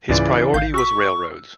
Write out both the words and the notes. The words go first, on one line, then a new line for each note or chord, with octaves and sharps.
His priority was railroads.
C#2 G#2 C#3 E3 F4 D5
A1 F5 G6
F#4 C#6 E6 B6